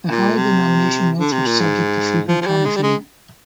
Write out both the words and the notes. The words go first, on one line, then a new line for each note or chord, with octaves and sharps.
The higher-denomination notes were subject to frequent counterfeiting.
A#2
C3
D3
C3
A#2
G#2
F3
F3
G3
G#3
G3
G#3